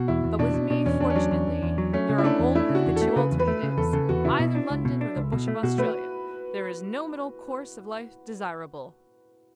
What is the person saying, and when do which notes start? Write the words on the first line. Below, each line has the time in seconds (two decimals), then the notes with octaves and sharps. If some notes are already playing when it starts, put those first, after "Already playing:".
But with me, fortunately, there are only the two alternatives, either London or the bush of Australia--there is no middle course of life desirable.
Already playing: B2 F#4
0.08 E2 E4
0.24 E2
0.39 B2 D4
0.54 B2
0.70 B2 D4
0.86 E2 C#4
1.00 E2 D4
1.10 C#4
1.16 F#3 D4
1.31 E2
1.47 E2
1.63 E2
1.78 F#3
1.93 A3 C#4
2.09 C#3
2.18 E4
2.24 A3 D4
2.39 E2
2.55 A3 E4
2.70 C#3
2.75 F#4
2.86 E2
2.96 A4
3.02 A3
3.16 C#3 B4
3.32 E2
3.40 B4
3.48 A3
3.63 C#3
3.77 E2 A4
3.93 C#3 A4
4.09 E2 F#4
4.24 C#3 E4
4.39 B2
4.55 D4
4.70 C#2
4.85 B2
5.01 D4
5.16 C#2
5.32 B2
5.48 A3
5.63 B2 F#4
5.78 A3 B4